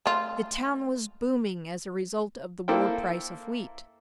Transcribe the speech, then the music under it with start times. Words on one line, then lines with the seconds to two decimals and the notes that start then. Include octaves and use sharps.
The town was booming, as a result of the war price of wheat.
0.06 A3 F4
2.68 A#3 E4 A4 C5 G5